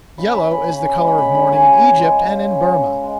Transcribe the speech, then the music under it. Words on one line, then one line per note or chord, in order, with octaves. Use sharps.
Yellow is the color of mourning in Egypt and in Burmah.
C#3 B5
B5
C#4
B5
C#3 B5
B5
G#3
B5
C#3 B5
B5
C#4 G#5 B5
C#3 G#5 B5
G#3
C#3
C#4
C#3
G#3